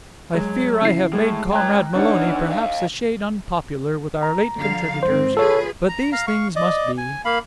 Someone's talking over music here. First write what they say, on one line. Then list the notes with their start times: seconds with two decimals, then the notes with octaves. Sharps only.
I fear I have made Comrade Maloney perhaps a shade unpopular with our late contributors, but these things must be.
0.35 F#3 G#3
0.81 C#3 E4 C7
1.13 A2 G#3
1.53 G#3 C#5 G5 A#5 F#6
1.94 E2 D4 D#4 C#5 F#5
2.51 D#5 F5
4.23 A#5
4.58 D3 F3 F5
5.03 G#2 C4 C5
5.37 F4 G#4 A4 B4 C#5
5.88 A#5
6.12 F5 A#5
6.27 F5 C#6
6.55 D5 D#5
6.98 G#5
7.25 A#3 F5 B5